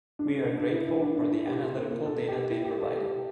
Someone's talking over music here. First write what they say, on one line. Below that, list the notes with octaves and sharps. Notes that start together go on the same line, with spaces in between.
We are grateful for the analytical data they provided.
D4
C#4
A#3
D4
E4
E4
D4
D4
E4
G4
F4
A#3
A#3
A4
G4
E4
G4
A4
G4